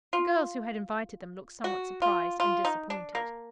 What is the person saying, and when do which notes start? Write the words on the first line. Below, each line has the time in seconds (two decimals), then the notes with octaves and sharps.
The girls who had invited them looked somewhat surprised and disappointed.
0.13 F4
1.64 F#4
2.02 F4
2.40 F4
2.65 D#4
2.90 D4
3.15 A#3